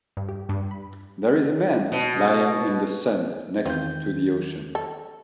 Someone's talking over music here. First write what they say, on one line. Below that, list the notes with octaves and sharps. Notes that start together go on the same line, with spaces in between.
There is a man lying in the sun next to the ocean.
G2
G4
G2
B5
B2
E2 D#3 C4 F4 B4 G6
A4